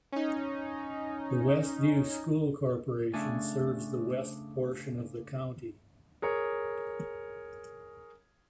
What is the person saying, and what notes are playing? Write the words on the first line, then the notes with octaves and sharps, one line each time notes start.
The Westview School Corporation serves the west portion of the county.
C#4 D#4
C#3 A3 D4 G#5
G#4 A#4 C#5